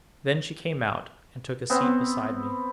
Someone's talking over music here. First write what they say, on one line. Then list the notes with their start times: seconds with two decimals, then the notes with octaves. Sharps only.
Then she came out, and took a seat beside me.
1.70 B3 C4